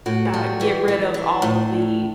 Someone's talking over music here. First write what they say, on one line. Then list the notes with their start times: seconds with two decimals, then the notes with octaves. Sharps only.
uh, get rid of all of the
0.06 A2 F#4
0.34 G3
0.61 E3
0.88 E3
1.14 D4
1.42 A2